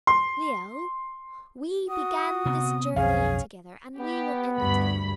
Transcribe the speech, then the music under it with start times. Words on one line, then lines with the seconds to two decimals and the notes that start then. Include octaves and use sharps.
Leo, we began this journey together and we will end it together.
0.07 C6
1.89 F#4 D#6
2.46 C3 B3
2.96 B1 F2 C#4 G#4 F5
4.00 B3 G4
4.58 D2 G2 B5